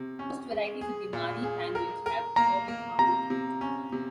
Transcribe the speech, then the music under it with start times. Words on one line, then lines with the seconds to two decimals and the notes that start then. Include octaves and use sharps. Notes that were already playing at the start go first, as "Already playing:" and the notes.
Most varieties of the Mari language have vowel harmony.
Already playing: C3
0.19 C#4
0.51 G#3
0.81 G#4
1.13 A#2
1.43 G#4
1.75 A#4
2.06 A#4
2.36 A#3 A#5
2.68 A#3
2.99 C3 A#5
3.30 C3
3.61 C#4
3.92 C3